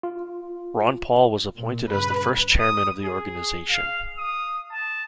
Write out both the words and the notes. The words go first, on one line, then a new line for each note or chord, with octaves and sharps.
Ron Paul was appointed as the first chairman of the organization.
F4
A#2
G2 C#3 B4
D#6
G#4
F5
D#6
A5